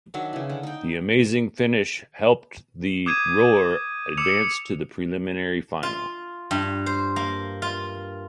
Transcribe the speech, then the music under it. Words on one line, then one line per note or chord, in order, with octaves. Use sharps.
The amazing finish helped the Roar advance to the preliminary final.
D#3 F#3 D4 E5
C#3 E3
D3
D#4 G5
D6 D#6 G6 G#6 D#7
D6 E6 C#7 F7
F4
G2
C5
A#3
F4